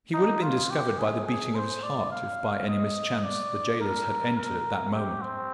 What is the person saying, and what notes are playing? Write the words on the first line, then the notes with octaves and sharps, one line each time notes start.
He would have been discovered by the beating of his heart, if by any mischance the jailers had entered at that moment.
D#4
F4
G4
G#4
G#4
C5
D5
F5
D#5
D5
A#4
A#4
G4
C4